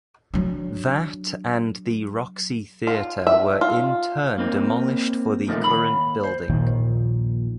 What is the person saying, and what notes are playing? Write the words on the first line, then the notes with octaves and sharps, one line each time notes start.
That and the Roxy Theatre were in turn demolished for the current building.
F#3 D4
F4
E5
F4
A#3 C4 D#4
C2 F2 A#2 D#3 A3 D#5
D#2 B5
C5
A#1 D#2 A#2 D#3